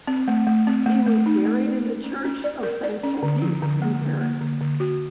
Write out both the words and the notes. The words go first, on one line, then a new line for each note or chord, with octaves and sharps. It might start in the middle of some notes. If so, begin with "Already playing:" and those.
He was buried in the Church of S. Sulpice in Paris.
C4
A3
A3
C4
A3
A3
D#4
A3
D5
C#4
C#4
C#4
D5
A#4
D5
C#4
D3
F3
D3
A#3
D3
A#3
D3
D3
F#4